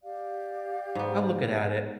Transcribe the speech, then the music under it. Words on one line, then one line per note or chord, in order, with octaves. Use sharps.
I'm looking at it.
G4 D5 F5
G#2 B3